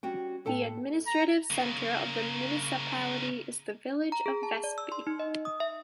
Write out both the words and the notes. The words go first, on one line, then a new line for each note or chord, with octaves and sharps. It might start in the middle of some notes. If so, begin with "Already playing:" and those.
The administrative centre of the municipality is the village of Vestby.
G3 C#4 F#4 G5
A2 A4 G5 A5
A#5
C#3 A#3
A#5
G#4
A5
D5
E6
C6
D#4
D#5
D#6
E5